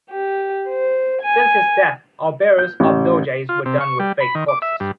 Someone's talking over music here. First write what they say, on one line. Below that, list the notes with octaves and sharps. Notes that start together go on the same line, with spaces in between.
Since his death, all burials of doges were done with fake corpses.
G4
C5
G#5
G6
A1
F4
C3
C#6
G3
B5
D#3
D6
E5
G2